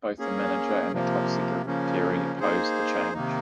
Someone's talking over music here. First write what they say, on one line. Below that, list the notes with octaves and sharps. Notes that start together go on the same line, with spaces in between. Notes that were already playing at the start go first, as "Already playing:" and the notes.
Both the manager and the club secretary opposed the change.
A#3 C#4 G#4
C3 F3 A#3
C#3 F3 A#3 C#4
A#3 D#4 G#4 C5
C3 D#3 A#3 D#4